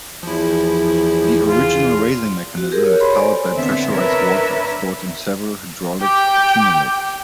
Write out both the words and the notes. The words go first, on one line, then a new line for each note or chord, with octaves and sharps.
The original raising mechanism was powered by pressurised water stored in several hydraulic accumulators.
E2 F3 E4
F4
F#4
G4 G#4 A#4
C#5
C#5 B5 C6
A4 C5 D5 G#5
D3 B3 C4 E5
D4 A#4 B4 C#5 E5
G4 G5